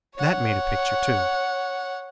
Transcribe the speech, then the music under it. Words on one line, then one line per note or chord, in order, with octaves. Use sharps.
That made a picture, too!
C#5 F#5